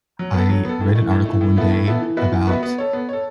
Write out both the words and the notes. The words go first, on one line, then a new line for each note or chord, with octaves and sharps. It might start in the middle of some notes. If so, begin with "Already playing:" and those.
I read an article one day about
F#3
B3 A4
F#3
B3 A4
A2
E3 A3
A2
E3 A3
A2
E3 B3 E4 A4
A2
E3 B3 E4 A4
E3
B3 F#4 B4 E5
E3
B3 F#4 B4 E5
B3
A4 C#5
B3
A4 C#5